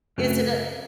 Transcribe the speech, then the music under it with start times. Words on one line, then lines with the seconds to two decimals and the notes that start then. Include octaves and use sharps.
Is it a
0.18 F#2 C#3 F#3 A3 C4